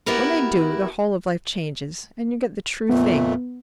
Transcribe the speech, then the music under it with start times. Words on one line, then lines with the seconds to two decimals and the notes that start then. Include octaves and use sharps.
When they do, the whole of life changes, and you get the true thing.
0.06 B3 E4 F#4 G4 A#4 B4
2.89 F2 A#2 A3 B3